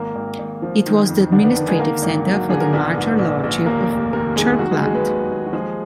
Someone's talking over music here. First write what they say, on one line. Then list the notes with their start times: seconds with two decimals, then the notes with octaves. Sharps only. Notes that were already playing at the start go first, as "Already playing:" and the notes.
It was the administrative centre for the Marcher Lordship of Chirkland.
Already playing: G#1 A#3 A#4
0.15 G#1
0.39 G#1
0.62 F3
0.86 D#3
1.09 F2
1.32 D3 D#3 D4
1.44 B3
1.55 D#3 B3
1.68 G#3 G#4
1.79 D3 A#3 A#4
2.02 G#1
2.26 F#3
2.49 D3 G#4
2.61 A#4
2.73 A#1 B3 B4
2.97 G#2
3.19 A#1
3.44 A#1
3.66 D#2 A#3 A#4
3.89 F1
4.13 D#2 A#3 A#4
4.36 D#3 G#3 G#4
4.59 F#3 F#4
4.71 G#3 G#4
4.83 D#3 G#3 G#4
4.94 B3 B4
5.06 D#2
5.30 D#2
5.47 F#4
5.53 F3 G#3 G#4